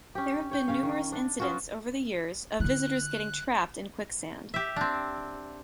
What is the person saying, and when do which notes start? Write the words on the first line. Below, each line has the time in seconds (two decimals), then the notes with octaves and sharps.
There have been numerous incidents over the years of visitors getting trapped in quicksand.
0.15 C#4 G4
0.51 C#5 G5
0.68 C#3 C#4 F5
0.83 D#3
1.12 D4
1.40 B3 C#4 F4 F#4
2.60 D3 E4 F#6
4.54 G4 E5
4.76 C4 D4